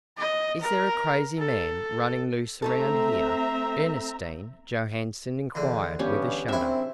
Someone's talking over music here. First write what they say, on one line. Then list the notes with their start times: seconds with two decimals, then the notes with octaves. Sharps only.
"Is there a crazy man running loose around here?" Ernestine Johanson inquired with a shudder.
0.17 D#5
0.62 A#4
1.38 A4
2.62 A3 C4 D#4 A4 E5 A#5
5.55 E2 D3
5.99 G2 B3 C#4 G4
6.49 A#1 C4 E4 E5